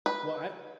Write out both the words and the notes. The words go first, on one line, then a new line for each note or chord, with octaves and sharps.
Well, I've
B4